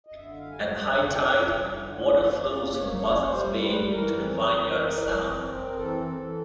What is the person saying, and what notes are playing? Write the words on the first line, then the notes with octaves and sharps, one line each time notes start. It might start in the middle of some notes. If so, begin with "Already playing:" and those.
At high tide, water flows from Buzzards Bay to the Vineyard Sound.
D#5
D3 E5
E5
F5
G3 G#5
G5
D3
G5
C#4
G3
D3
C#5
A#3 D5
C#5
A#3
D5
A#3
C#5
C#4 C#5
C#5
G3 C5
G3 B4
E3 A#4
C4
E3
E3
C4
C4
A#4
E3 A4
E3